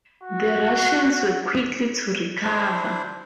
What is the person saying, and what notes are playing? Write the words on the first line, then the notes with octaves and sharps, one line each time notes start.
The Russians were quick to recover.
F#4
D4 E4 C5